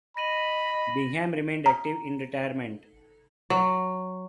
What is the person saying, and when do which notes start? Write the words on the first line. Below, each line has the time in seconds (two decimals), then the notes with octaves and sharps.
Bingham remained active in retirement.
0.17 D#5 B5 A#6 D#7 F#7
1.66 A#5
3.50 F#3